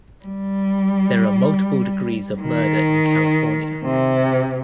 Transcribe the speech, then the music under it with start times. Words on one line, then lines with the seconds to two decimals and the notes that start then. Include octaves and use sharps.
There are multiple degrees of murder in California.
0.25 G3
2.41 D#3
3.85 C3